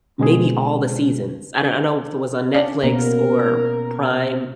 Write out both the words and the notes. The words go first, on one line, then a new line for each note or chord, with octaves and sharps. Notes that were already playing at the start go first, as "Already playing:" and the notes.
maybe all the seasons, I don't I don't know if it was on Netflix or Prime.
B2 D3 G#3 C4 G#4
C#4 D4 D5
B2 A#3 B3 A#4